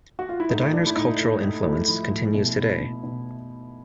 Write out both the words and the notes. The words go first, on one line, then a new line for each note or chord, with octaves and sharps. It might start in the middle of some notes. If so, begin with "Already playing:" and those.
The diner's cultural influence continues today.
F#4
F4
E4
A2 D#4
A2 D4
E4
A2 D#4
A2
A2
A2
F3 E4
A2
B2
B2
B2
B2